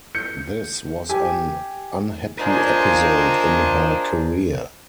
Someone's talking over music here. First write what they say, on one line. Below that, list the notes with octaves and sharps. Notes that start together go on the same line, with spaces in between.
This was an unhappy episode in her career.
G6 C#7
G4 G#5
D4 F4 A#4 C5 D#5 G#5